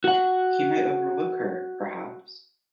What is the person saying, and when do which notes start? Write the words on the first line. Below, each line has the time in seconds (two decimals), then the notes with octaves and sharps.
He might overlook her, perhaps!
0.04 F#4 F#5